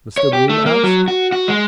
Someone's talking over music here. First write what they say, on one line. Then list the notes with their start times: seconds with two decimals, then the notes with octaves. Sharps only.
Mr Bloom asked.
0.18 C#5
0.33 G4
0.49 A3
0.66 A#3
0.84 F#3
1.08 F#4
1.32 F#4
1.48 G#3